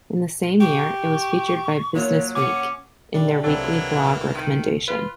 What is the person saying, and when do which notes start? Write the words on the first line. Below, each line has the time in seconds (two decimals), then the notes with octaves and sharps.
In the same year, it was featured by "BusinessWeek" in their weekly blog recommendation.
0.60 G4 C#6
1.95 F#3 A#3 F4 C#5
2.35 C#4 F#5 D6
3.14 G3 A3 D4
3.44 C2 E3 F#3 A#3 C4 A4
4.35 D#3 D#6
4.88 F4 B4